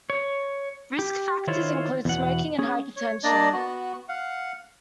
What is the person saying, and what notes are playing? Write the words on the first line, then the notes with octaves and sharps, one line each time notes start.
Risk factors include smoking and hypertension.
C#5
G4
D#3 E4 F4 C5 C#5
E2 B2 F#5
C#4 G#4
C#5
A#3 D4 D5 D#5
B3 F#4
F5 F#5